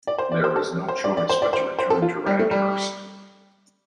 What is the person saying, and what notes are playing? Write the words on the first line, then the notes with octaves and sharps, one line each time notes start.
There was no choice but to return to Randhurst.
D5
C5
D5
C5
A4
C5
D5
D5
C5
D5
C5
C5
A4
F4
G3
A3
G3